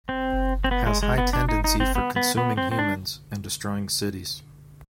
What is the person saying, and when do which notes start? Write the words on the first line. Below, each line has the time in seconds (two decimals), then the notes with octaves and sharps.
Has high tendency for consuming humans and destroying cities.
0.09 C4
0.64 C4
0.71 B3
0.87 G#3
1.03 G#3
1.18 B3
1.33 D4
1.49 D#4
1.64 D#4
1.80 C4
1.95 B3
2.16 B3
2.37 B3
2.57 C4
2.71 C4
2.79 D4